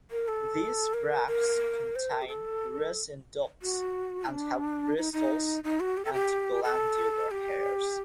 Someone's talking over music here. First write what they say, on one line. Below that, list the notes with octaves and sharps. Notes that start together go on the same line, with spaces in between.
These bracts contain resin ducts and have bristles and glandular hairs.
A#4
A4
A#4
A#4
C5
A#4
G4
A4
F#4
D4
D#4
D#4
D#4
F#4
G4
A4
G4
A4
G4